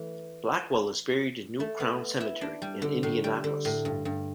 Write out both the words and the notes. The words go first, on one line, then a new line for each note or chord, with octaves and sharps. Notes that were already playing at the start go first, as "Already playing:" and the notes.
Blackwell is buried in New Crown Cemetery, in Indianapolis.
Already playing: E3 A3
A3
B3
E4
D4
G3
D3
A2
G3
D3
A2
G2
G2